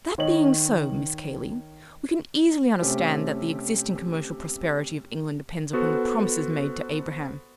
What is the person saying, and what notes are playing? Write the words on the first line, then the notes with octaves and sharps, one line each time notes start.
'That being so, Miss Cayley, we can easily understand that the existing commercial prosperity of England depends upon the promises made to Abraham.'
D#3 C#5 D#5 F#7
C3 A3 C4 C#4 G4
B3 F#4 A4 C5